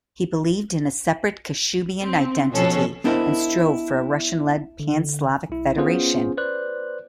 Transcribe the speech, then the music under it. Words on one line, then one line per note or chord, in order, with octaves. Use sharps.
He believed in a separate Kashubian identity and strove for a Russian-led pan-Slavic federation.
C4
B2 F3 C#4 A4
B3 D4 E4 A#4 C5 D#5
D3
B1 E4
B3 C#4 F4 G#4 C5
B4 C5 D5 F#6